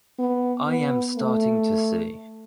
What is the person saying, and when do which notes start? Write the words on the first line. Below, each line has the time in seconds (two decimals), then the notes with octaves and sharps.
I am starting to see.
0.19 B3
0.69 B3
1.18 A3